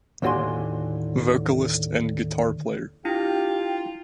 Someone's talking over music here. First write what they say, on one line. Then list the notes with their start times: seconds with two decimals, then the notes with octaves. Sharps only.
Vocalist and guitar player.
0.22 D#2 A2 D3 F#4 G#5 C6
3.05 D4 E4 F4 G4 G5